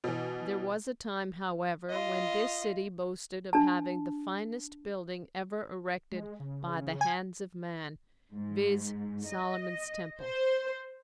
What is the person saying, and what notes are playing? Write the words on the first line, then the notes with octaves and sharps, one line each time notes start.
There was a time, however, when this city boasted of having the finest building ever erected by the hands of man, viz: Solomon's Temple.
B2 E3
F4 D#5
D4 A5
G#3
C#3
G#5
G#2
D#5
C5